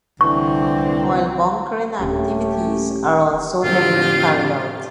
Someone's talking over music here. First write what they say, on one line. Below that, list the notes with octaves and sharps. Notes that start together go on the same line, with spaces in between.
Oil bunkering activities are also heavily carried out.
C2 D3 E3 C4 C#6
D#1 A3 C#4 D4 G4
F2 A2 D3 C4 F4 G4